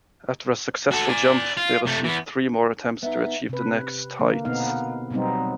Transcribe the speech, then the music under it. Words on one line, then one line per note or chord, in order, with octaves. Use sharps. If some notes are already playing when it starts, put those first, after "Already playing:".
After a successful jump, they receive three more attempts to achieve the next height.
F#4 A4
D5 G#5
F4
C3 A3
E3 B3
B3 D#4 E5
C3 B4
D3 A#3
B2 B3 C4 D#4 F5
B2 F#3 G3 B3 C4 D#4